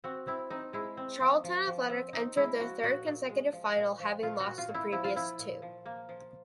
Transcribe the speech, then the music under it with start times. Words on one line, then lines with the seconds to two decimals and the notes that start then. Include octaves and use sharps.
Charlton Athletic entered their third consecutive final having lost the previous two.
0.04 C4 F#4
0.27 C4 E4
0.50 C4 D#4
0.73 G#3 E4
0.97 C4
1.20 F3
1.44 F3
1.67 F3
1.90 C4
2.13 C4 D#4
2.36 G#3 E4
2.60 F3 F#4
2.83 A#2 F#4
3.06 A#2
3.29 G#3
3.53 F3
3.76 A#2
3.99 F3
4.23 A#2 F4
4.40 F#4
4.46 A#2
4.58 F4
4.69 A#2
4.74 E4
4.92 F3 E4
5.04 F4
5.16 F3 E4
5.39 A#2
5.62 F3
5.86 A#3
6.09 F3